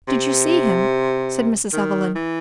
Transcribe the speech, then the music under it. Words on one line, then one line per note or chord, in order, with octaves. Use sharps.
"Did you see him?" said Mrs. Evelyn.
C3
D#3
E3